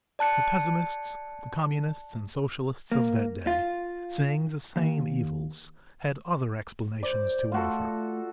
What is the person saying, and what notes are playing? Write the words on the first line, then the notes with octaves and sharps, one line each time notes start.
The pessimists--the communists, and socialists of that day--seeing the same evils, had other explanations to offer.
D5 A5 F#6 C#7
A#3
F4
D#2
C5 D5
A3 F4 F#4 A4